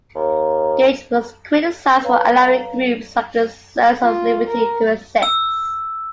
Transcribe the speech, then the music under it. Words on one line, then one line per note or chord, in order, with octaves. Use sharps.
Gage was criticised for allowing groups like the Sons of Liberty to exist.
D#2
B4 C#5 F5 A#5
F4
A#4
E6